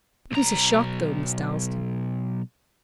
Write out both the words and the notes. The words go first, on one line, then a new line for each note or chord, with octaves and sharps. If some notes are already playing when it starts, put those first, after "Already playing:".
It was a shock, though, Miss Dalstan.
B1 A#5